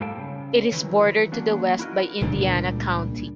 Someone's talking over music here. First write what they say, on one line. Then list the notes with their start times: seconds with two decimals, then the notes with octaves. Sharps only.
It is bordered to the west by Indiana County.
0.01 G#2 G3 A4 F5 G5 A5
0.18 C#3
0.72 D#3 E3 F#3 E4
1.32 A#3 C#4 D4 F#4
1.79 E4 F#4 A#4 D#5
2.21 C#2 A#2 G3 D4